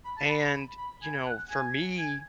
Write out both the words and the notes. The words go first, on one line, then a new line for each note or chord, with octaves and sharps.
and, you know, for me,
B5
A5
B5
B5
B5
G#5
F#5
G#5
G#5